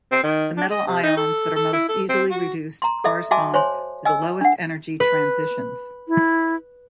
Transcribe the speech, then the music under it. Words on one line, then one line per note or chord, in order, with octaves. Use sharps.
The metal ions that are most easily reduced correspond to the lowest energy transitions.
C4
D#3
D4
D#5
C3
D#4
A4
A4
E4
A4
C4
F#4
A#5 C6
A4 D#5 E5
F#4 D#5 E5 G#5 A5 D6
C5 C#5 G#5 C6
D#5 G#5 E6
D4 F#5
B4
E4